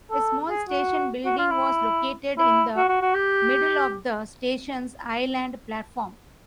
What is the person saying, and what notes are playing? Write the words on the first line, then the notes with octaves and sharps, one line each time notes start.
A small station building was located in the middle of the station's island platform.
A4
G#4
F#4
F#4
F4
E4
E4
F#4
F#4
F#4
G4